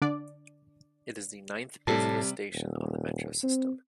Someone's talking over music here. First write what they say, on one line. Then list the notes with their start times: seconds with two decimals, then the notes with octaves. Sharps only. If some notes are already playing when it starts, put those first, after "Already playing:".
It is the ninth-busiest station on the Metro system.
0.02 D3 D4 D5
1.87 A2 C3 G3 A4 A5
2.53 D#1
3.43 C4